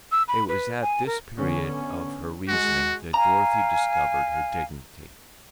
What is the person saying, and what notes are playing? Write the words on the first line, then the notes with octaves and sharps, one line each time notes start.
It was at this period of her reasoning that Dorothy discovered her dignity.
E6
B5
B4
G#5
A#4
D3 B3 C#4
G#3 F#4
F5 G#5 A#5